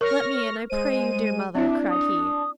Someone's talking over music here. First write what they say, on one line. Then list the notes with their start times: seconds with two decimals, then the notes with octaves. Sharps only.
'Let me in, I pray you, dear mother,' cried he.
0.01 A#4 C#5 C#6 F6 A#6
0.70 G#3 C5 D#7
1.55 C4 D4 E4 E5
1.90 D#6